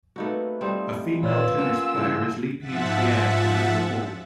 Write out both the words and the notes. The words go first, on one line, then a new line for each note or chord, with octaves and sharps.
A female tennis player is leaping into the air to hit the ball.
C3 A3 A#3 D#4 F#4 B4
G3 A3 C4 D#4 F4
A#2 E3 F4 C#5 D5 E6
D3 A#3 C#4 C#5 F#5
C#3 E3 A3
G#2 F3 E5 F#5 A6 B6